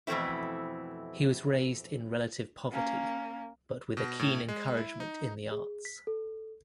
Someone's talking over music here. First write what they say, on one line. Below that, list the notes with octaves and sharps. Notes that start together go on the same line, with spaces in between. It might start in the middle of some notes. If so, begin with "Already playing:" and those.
He was raised in relative poverty, but with a keen encouragement in the arts.
F2 B2 E3 A3 C4 E4
A#3 C#4
B2
A2
G#3
E4
D#4
G#4
B6
A4